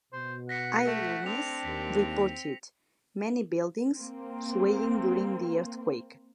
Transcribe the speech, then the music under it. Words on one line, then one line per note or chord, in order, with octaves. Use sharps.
Eyewitness reported many buildings swaying during the earthquake.
B2 C5
F#5 A#6 B6 C#7
A3
C4 D4 F7
D#2 B6
A#3 C4